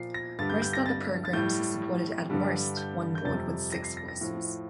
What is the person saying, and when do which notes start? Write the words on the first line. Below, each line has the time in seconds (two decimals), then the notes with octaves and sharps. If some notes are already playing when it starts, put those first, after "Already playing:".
Most other programs supported at most one board with six voices.
Already playing: A#2 F3 C7
0.14 A#6
0.39 G2 D3 G3 A6
0.50 G6
0.62 G6
0.73 A#6
0.86 A6
1.25 A6
1.33 A2 G3 G6
2.30 G2 D3 G3
2.77 G6
3.15 G6
3.25 F2 C3 G3 A6
3.72 A#6
3.84 C7
3.97 A#6
4.08 A#6
4.21 A2 F3